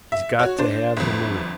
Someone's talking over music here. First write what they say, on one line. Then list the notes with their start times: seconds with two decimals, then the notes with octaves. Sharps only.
He's got to have the money.
0.12 E5
0.39 F#4 C#5
0.58 D4 C5
0.97 G1 F2